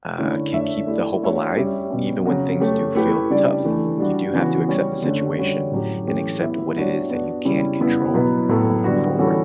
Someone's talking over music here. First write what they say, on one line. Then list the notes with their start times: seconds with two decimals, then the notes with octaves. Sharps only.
uh, can keep the hope alive even when things do feel tough, and you do have to accept the situation and accept what it is that you can control moving forward.
0.18 D3 A3 C#4 E4
0.52 A3 D4 A4 C#5 E5
0.87 A3 E4 G4 D5
1.22 A3 D4 F#4 C#5 E5
1.56 G3 C#4 G4 C#5 E5
1.91 B2 G3 C#4
2.25 C#3 F#3 C#4 F#4
2.60 A3 C#4 G4
2.95 A3 E4 G4 B4
3.30 C#3 G3 D4 G4 D5
3.64 E3 A3 D4
3.99 G3 D4 F#4
4.33 C#3 E3 B3 F#4
4.68 G3 C#4 F#4 C#5
5.02 D3 A3 C#4
5.38 D3 G3 C#4 F#4 C#5
5.72 A2 F#3 C#4 G4
6.07 E3 A3 C#4 G4
6.41 B3 E4 B4 E5
6.76 G3 D4 F#4 C#5
7.10 B3 D4 F#4
7.45 C#3 G3 C#4 E4
7.80 C#3 G3 B3 E4 B4
8.14 B2 F#3 B3 E4 B4
8.49 A2 F#3 B3 E4 A4
8.84 D3 G3 B3 F#4
9.18 E3 G3 C#4 F#4 A4